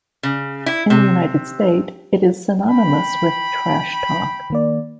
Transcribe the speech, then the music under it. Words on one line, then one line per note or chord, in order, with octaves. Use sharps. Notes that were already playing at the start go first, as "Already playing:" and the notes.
In the United States, it is synonymous with "trash talk".
C#3
E4
C3
G5 B5
D#3 A#3 D5